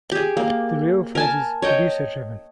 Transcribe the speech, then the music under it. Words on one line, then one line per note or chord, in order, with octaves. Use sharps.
The real phrase is 'producer driven'.
G4 G#4
A#3
A#4 G#5 A5
C#5 D#5 G5